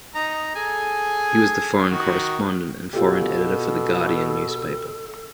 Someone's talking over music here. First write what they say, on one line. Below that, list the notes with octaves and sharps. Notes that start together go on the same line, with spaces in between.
He was the foreign correspondent and foreign editor for "The Guardian" newspaper.
D#4 A#5
G#4 A4 G#5
D#3 F#4
B2 F4 G4 A4